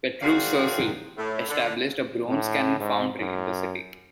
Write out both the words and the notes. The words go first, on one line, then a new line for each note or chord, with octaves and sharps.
Petru Cercel established a bronze cannon foundry in the city.
D#3 C4 F#4 G#4 D5 F5
A2
D3
A2
G#2
F#2